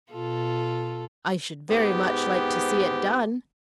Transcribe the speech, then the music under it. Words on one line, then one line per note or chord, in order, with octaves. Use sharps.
'I should very much like to see it done.
B2 F4 A4
G#2 B3 C4 G4